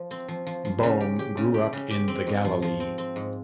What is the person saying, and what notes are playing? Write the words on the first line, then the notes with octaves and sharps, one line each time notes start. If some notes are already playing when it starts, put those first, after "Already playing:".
Boehm grew up in the Galilee.
Already playing: F3
C4
F3
F3
F3
C#3
G4
G4
C#3
G4
C#3
G4
C4
G#2
F3
F3
C4
C4
G#2